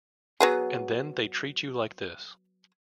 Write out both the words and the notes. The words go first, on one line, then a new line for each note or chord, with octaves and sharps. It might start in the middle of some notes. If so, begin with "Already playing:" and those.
And then they treat you like this.
F#3 B3 G#4